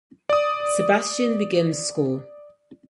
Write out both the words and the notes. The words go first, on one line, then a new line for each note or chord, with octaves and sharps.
Sebastian begins school.
D5 D#6